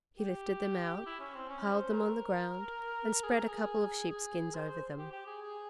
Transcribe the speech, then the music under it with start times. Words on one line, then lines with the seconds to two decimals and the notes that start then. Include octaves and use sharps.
He lifted them out, piled them on the ground and spread a couple of sheepskins over them.
0.18 G4
1.06 E4
1.20 C#4
1.34 C4
1.49 C#4
1.71 C5
1.93 A#4
3.23 G#4
3.35 A#4
3.48 G#4
4.10 G#4
4.54 C5
4.68 C5
4.98 G4
5.12 G4
5.26 G#4
5.41 G#4